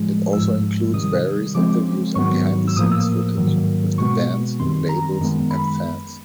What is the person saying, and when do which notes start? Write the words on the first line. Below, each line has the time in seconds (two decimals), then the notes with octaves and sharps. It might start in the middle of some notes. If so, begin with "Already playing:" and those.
It also includes various interviews and behind-the-scenes footage with the bands, labels and fans.
Already playing: A2 F3 G#3
0.33 G#2 F3 G#3 E6
0.94 C3 D#3 G3 D#6
1.55 C#3 F3 G#3 C4 D6
2.15 G#2 D#3 F#3 B3 C#6
2.68 E6
2.76 A2 F3 A#3 D#6
2.91 E6
3.37 G#2 D#3 F#3 A#3
3.98 B2 G#3 B3 C#6
4.59 F#2 D#3 G3 C4 C6
4.89 A#5
5.20 F#2 D#3 G#3 B3
5.51 B5